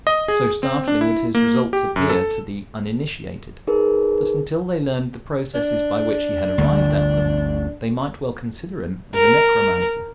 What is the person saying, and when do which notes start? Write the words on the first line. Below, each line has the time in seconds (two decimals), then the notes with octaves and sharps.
So startling would his results appear to the uninitiated that until they learned the processes by which he had arrived at them they might well consider him as a necromancer.
0.07 D#5
0.28 G#4
0.63 C4
0.88 D4
1.01 E4
1.35 A#3
1.73 G4
1.96 F#2
2.09 A4
3.67 D#4 G#4 A#4 B4
5.55 D4
6.58 G1 D2
9.14 A#4